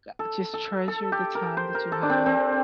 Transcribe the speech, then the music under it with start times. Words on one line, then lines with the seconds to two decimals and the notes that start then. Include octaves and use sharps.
...g just treasure the time that you have
0.19 A4
0.54 A4
0.88 A4
1.12 G4
1.35 A#4
1.57 C5
1.75 A#4
1.92 A4
2.03 D4
2.10 C4
2.26 C4